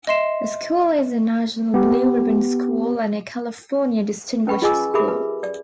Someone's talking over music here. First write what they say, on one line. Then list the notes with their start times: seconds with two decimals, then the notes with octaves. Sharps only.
The school is a National Blue Ribbon School and a California Distinguished School.
0.07 D#5 E5 C6 C7 E7
1.74 B3 G4
4.47 C#4 B4 G5 B5 C#6
4.62 F4 G#4 D#5 G#5 D6 E6
4.94 G4 G#4 A#4 E5 B5 D6
5.08 B4
5.43 D5